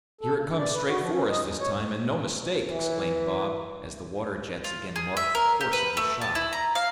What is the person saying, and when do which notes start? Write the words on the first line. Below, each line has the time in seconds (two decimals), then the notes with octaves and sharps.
"Here it comes straight for us this time, and no mistake," exclaimed Bob, as the water-jets again marked the course of the shot.
0.21 A4
0.35 C#3
0.46 G2
0.58 D5
0.74 B4
0.88 F#4
1.00 F3
1.11 C#4
1.30 D#5
1.42 E2
1.60 C#5
2.69 E3
4.64 F4
4.96 G#4
5.17 E5
5.35 A#4
5.61 G4
5.73 B4
5.97 A3
6.22 A5
6.35 E4
6.53 A#5
6.75 F5